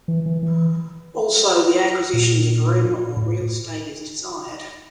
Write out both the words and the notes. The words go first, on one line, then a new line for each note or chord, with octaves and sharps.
Also the acquisition of rooms or real estate is desired.
E3
E3
E3
A#2
A2